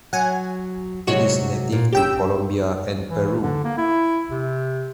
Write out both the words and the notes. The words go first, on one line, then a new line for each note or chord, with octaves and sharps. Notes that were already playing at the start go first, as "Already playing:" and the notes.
It is native to Colombia and Peru.
F#3 F#5 G#5
C3 F#3 G#3 F#4 C#5
A#2
C#3 G4 G5 E6
E3
D3
A#3
E4
C3